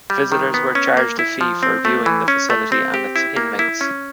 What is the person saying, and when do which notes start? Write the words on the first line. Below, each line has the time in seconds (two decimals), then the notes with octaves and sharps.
Visitors were charged a fee for viewing the facility and its inmates.
0.10 G3
0.32 D#3
0.54 B3
0.75 C#4
0.97 A#3
1.19 E4
1.41 F3
1.63 C4
1.85 A3
2.06 E3
2.28 C#4
2.50 A3
2.72 C4
2.94 G4
3.16 E4
3.37 A#3
3.59 E4
3.81 C#4